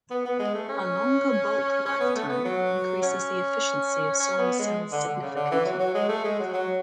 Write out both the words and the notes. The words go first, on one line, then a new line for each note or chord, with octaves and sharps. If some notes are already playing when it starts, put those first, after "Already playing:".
A longer bulk lifetime increases the efficiency of solar cells significantly.
B3
B3
G#3
A3
C#4
C#4
B3
A3
B3
F#3
C#4
C#4
B3
G#3
D3
D3
C#3
D3
E3
F#3
F#3
G#3
A3
G#3
F#3
F#3